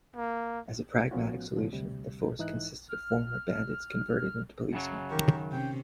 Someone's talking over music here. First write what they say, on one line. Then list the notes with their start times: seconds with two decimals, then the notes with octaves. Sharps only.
As a pragmatic solution, the force consisted of former bandits converted into policemen.
0.16 A#3
1.11 A2 F3 B3 C#4 F4 F#4
1.55 G#2 B2 D3 F3 F#3 G#3
1.73 D2 C3 G3
2.39 G#2 E3 D#4 E4 F#6
2.89 F6
4.73 F#2 C#3 F#3
5.11 D#3 G4 A#4 C#6
5.52 C3 C#4 G5